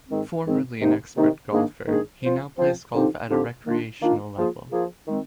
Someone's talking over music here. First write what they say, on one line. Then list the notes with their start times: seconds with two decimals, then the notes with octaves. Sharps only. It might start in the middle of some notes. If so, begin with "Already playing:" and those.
Formerly an expert golfer, he now plays golf at a recreational level.
0.09 G#2 D#3 G#3 C4
0.45 G#2 D#3 G#3 C4
0.80 C3 D#3 A#3 D#4
1.16 C3 D#3 A#3 D#4
1.51 G#2 D#3 A#3 D4 G#4
1.86 G#2 D#3 A#3 D4 G#4
2.22 F3 C4 F4 C5
2.58 F3 C4 F4 C5
2.93 D3 F3 C4 D#4 G4
3.29 D3 F3 C4 D#4 G4
3.65 D#3 A#3 D4 F4
4.01 D#3 A#3 D4 F4
4.35 F3 A#3 F4 G#4
4.71 F3 A#3 F4 G#4
5.08 D#3 G#3 C4